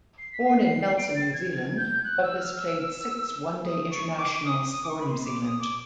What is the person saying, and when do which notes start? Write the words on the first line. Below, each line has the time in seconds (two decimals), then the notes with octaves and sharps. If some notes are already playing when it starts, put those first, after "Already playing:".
Born in Nelson, New Zealand, Douglas played six One Day Internationals for New Zealand.
0.18 C7
0.32 B6
0.45 C7
0.97 D7
1.15 A6
1.33 G#6
1.50 G#6
1.77 G6
2.04 F#6
2.22 E6
2.39 F6
2.57 E6
3.64 D#6
3.90 C#6
4.17 D6
4.33 D6
4.44 D#6
4.70 D#6
4.82 D6
4.88 C#6
4.99 B5
5.06 C6
5.24 D6
5.42 D#6
5.59 D6